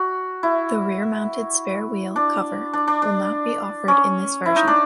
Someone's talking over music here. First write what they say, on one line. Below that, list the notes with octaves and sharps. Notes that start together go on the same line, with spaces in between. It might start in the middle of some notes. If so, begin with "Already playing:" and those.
The rear-mounted spare wheel cover will not be offered in this version.
Already playing: F#4
E4
D4
D4
D4
D4
C#4
E4
D#4
D4